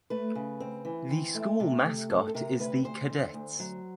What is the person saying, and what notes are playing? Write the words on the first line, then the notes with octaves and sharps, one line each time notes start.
The school mascot is the Cadets.
A3 B4
C#3
C4
E3
C4
A3
C3
A3
C4 A4
A4
C3 A#4
D2 B4
D2 C5
D3
D2
F#3